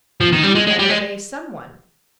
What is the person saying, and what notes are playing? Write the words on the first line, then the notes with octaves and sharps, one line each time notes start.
"You do, then, obey some one?"
F3
D#3
G3
G#3
G#3
G3
G#3